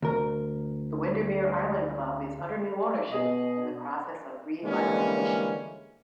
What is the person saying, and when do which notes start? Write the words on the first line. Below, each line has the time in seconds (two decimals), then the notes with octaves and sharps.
The Windermere Island Club is under new ownership in the process of revitalisation.
0.02 D2 A#4
3.12 B2 G#4 D#5
4.63 D3 E3 G3 G#3 A#3 C#4